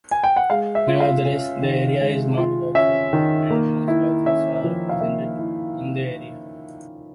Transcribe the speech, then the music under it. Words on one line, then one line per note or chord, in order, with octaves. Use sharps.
Nevertheless, the area is multicultural and most cultures are represented in the area.
G#5
G5
F#5
G#3 F5
E5
F4
F5
C#4
D#3
G#3
F4
C#4 E5
D#3
A#3
E4
C#4 E5
F3
F5
A#3 E5
E4